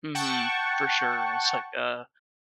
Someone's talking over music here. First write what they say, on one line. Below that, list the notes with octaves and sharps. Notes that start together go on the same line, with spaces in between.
Mhm, for sure, it's like, uh,
F#5 G5 A5 C#6